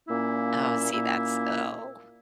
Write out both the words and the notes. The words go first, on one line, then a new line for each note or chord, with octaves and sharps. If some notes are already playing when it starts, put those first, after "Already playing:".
Oh, see, that's Oh.
A#2 A#3 C#4 E4
A#2 A#3 C#4 E4